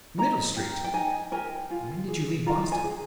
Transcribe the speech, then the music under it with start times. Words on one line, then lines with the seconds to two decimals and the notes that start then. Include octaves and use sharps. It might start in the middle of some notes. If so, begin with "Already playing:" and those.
"In Middle Street." "When did you leave Boston?"
0.18 D#4 A#5
0.56 G4 A#4
0.84 G5
0.94 D#4 G#5
1.32 G4 A#4 G#5
1.71 F4
2.08 G#4
2.46 F4 A#5
2.72 G#5
2.84 G#4